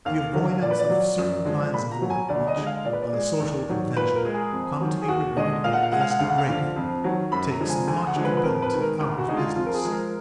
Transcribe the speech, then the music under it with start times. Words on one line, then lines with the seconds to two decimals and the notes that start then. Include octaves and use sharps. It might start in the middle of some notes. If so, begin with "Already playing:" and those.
The avoidance of certain kinds of work which, by social convention, come to be regarded as degrading, takes much ability out of business.
0.05 D#2 F5
0.33 D3 F#3
0.61 A#2 D5
0.71 B4
0.79 D5
0.90 F#3
1.18 F#2
1.45 D3 F3 G#3
1.74 A#2 B5
1.91 A#5
2.02 F#3
2.10 G#5
2.28 D2 D5
2.47 D#5
2.56 D3 G#3
2.66 F5
2.85 A#2 D5
2.93 B4
3.02 D5
3.13 G#3
3.40 D#2
3.69 D#3 F#3
3.96 A#2 B4
4.15 A#4
4.25 G#3
4.34 G#4
4.52 F2
4.80 D#3 F#3
5.01 G#4
5.08 D#2 F#4
5.36 D3 G#3 D#5
5.64 A#2 F5
5.73 F#5
5.83 F5
5.92 G#3 F#5
6.01 F5
6.10 F#5
6.19 D2 F5
6.29 F#5
6.38 F5
6.49 D3 F3
6.76 F2
7.04 D#3 F#3
7.32 F#2 B5
7.51 A#5
7.60 D3 F3 G#3
7.69 G#5
7.87 D2 G#5
8.07 F#5
8.16 D3 F3 G#3
8.25 B4
8.37 B4
8.43 F2 A#4
8.62 B4
8.72 D#3 G#3
8.81 A#4
9.00 D2
9.18 F#4
9.28 D3 G#3 D#4
9.37 F4
9.55 F2 F4
9.66 A#4
9.74 G#4
9.83 F3 G#3
9.92 A#4